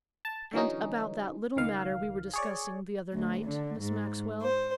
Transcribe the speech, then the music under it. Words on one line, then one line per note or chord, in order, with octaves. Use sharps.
And about that little matter we were discussing the other night, Miss Maxwell.
A5
D3 E3 F#3 C#4 D#4
C#2 D#3 F5
G#4 C#5 D5
D2
D3
G#2
C5